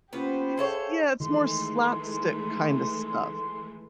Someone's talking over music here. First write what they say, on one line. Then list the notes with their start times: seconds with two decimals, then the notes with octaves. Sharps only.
It's yeah, it's more slapstick kind of stuff,
0.13 A#3 B3 C#4 F4 G4 C5
0.57 G#4 A4 C#5 E5 F5 A5
1.20 D#3 E3 G#3 A3 D#4 C6